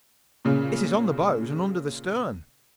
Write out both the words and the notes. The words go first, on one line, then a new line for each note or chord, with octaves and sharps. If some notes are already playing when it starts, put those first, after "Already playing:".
"It is on the bows and under the stern."
A#2 C#3